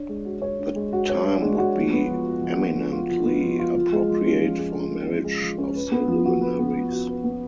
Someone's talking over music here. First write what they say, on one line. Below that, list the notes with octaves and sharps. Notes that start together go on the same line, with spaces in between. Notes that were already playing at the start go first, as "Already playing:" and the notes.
The time would be eminently appropriate for a marriage of the luminaries.
Already playing: D4 C#5
G#3
F#4
C#5
D4
G#3
F#4
C#5
D4
G#3
F#4
F3
B3
F3
F4
F3
B3
F3
F4
F3
B3
F3
F4
F3
G#3
F3
C#4
F3
G#3
F3
C#4
F3
G#3
F3
C#4
B4
B3
F3
F#4
B4
B3
F3
F#4
B4
B3